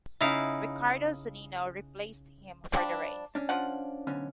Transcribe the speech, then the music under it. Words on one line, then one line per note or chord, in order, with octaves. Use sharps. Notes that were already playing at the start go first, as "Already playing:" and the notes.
Ricardo Zunino replaced him for the race.
C#3 D#4 E4 F5
F3 G3 D4
C#4 D4
F3 F4 F#5
B1 D3 C#4